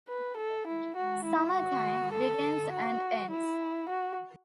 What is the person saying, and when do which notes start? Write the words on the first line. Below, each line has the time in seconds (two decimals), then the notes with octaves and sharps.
Summer Time, begins and ends.
0.08 B4
0.37 A4
0.67 E4
0.96 F#4
1.25 E4
1.54 F#4
2.13 A4
2.72 F#4
3.31 E4
3.89 F#4